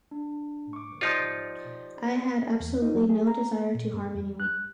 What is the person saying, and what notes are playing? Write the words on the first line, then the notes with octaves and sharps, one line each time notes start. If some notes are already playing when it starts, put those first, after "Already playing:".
I had absolutely no desire to harm anyone.
D4
C#6 D6
F3 D#4 F4 G4 C5 D5
E2
D#4
F#3
G#4
A#5
A#3
A#2
G2
F2
F#6